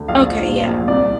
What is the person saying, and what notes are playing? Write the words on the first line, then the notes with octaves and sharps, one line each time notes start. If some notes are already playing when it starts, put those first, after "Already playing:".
Okay, yeah.
Already playing: D2
A#1 F5
F3
A#2
A#1
C2 D5